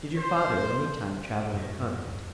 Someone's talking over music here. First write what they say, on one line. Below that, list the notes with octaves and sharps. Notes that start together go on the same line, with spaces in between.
"Did your father, at any time, travel on the continent?"
C5
F#2 A2